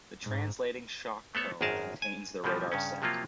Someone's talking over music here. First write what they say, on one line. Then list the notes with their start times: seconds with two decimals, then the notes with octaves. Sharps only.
The translating shock cone contains the radar set.
0.23 G#2
1.35 A3 B3 A4 C#5
1.61 G#1 F#2 D#3 G#4 A#4 A5
2.02 G#5
2.44 B2 E3 F3 G3
2.72 G2 C#3 C#4
3.02 C3 F3 F#3 A#3 F4